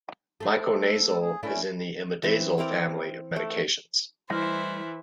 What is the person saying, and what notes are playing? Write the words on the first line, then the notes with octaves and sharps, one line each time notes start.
Miconazole is in the imidazole family of medications.
A3 C4
A4
G#4
A3 C#4 D4 E4
E3 C4
C4 E4 A#4 D5
A3
E3 G3 A3 E4 C5 D#5 E5 F6